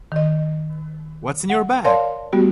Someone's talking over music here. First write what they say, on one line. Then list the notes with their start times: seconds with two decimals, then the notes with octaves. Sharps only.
What’s in your bag?
0.12 D#3 D#5
1.50 F#5
1.85 A#4 C#5 D5 F5 A5 C6
2.32 G3 A3 B3 F#4 G4